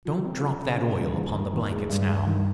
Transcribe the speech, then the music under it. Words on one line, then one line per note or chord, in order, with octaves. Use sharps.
"Don't drop that oil upon the blankets, now."
F3
C4
C#3
C#3
C#3
G3
D#2
D#2
D#3
G#3
G2
G2
D#3